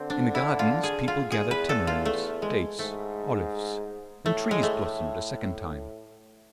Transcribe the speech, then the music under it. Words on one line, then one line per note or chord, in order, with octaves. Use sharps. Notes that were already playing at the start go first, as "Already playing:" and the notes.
In the gardens people gathered tamarinds, dates, olives; and trees blossomed a second time.
Already playing: D3 C4
D4
E4
F4
G#4
F4
E2 G#4
B4
A4
F4
A3
G#3
G#2 A3
A2 A3
G#3
A3